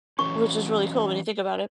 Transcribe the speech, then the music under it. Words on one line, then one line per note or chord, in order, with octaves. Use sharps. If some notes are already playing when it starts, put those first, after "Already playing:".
Which is really cool when you think about it.
E3 F#3 C#4 C#6